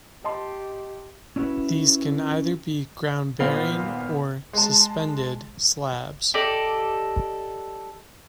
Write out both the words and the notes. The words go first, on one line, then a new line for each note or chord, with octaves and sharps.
These can either be "ground-bearing" or "suspended" slabs.
G4 D#5 A5 C6
C#4 D4 E4 F#4 B4
G#1 A#2 B3 C4 F5 F7
G#3 A5
G4 A4 D5 D#5